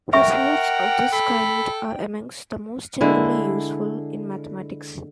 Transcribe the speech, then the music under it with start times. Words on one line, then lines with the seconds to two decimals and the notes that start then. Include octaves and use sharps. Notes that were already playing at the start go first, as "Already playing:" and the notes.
Results of this kind are amongst the most generally useful in mathematics.
0.13 A#4 E5 F#5 G5 C#6
1.13 A4 B5
3.01 D3 G#3 E4